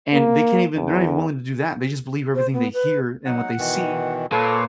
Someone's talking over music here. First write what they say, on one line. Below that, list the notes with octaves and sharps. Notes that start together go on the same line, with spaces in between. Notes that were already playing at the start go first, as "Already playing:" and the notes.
and they can't even they're not even willing to do that, they just believe everything they hear, and what they see,
A#3
E2
C5
B3
B4
F#3 D#4 F#5
B2 D#3 E3
A#2 A4 B4 C#5 F5 C#6